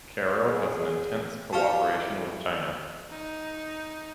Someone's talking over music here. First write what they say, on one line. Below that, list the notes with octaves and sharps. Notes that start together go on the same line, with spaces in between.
Caro has an intense cooperation with China.
B3 G#4
F#1 D2 E4 F#4 G4 C#5 F5 A5
D#4